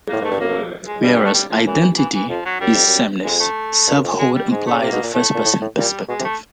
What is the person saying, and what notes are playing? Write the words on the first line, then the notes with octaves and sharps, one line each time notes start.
Whereas "identity" is sameness, self-hood implies a first-person perspective.
A2 A#3
G#2 A3
G2
F#2 A#3
G#3
G2 G3
G3
A3
G3
F3
F#2 E3
E3
E3
F2 F3
F#3
F#2 G3
F2
F#2
F2 G#3
A3
G2
F#2
F2
F#2
G#3
G3
G#2 G#3
C#3 A3
C3 A#3
B2
A#2
A2 A3
A#2
A2
A2
A#2 G3
B2 G#3
C3
A3